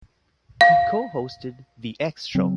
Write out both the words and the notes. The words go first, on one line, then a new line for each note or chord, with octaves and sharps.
He co-hosted "The X Show".
F5
C#3 F#3 C4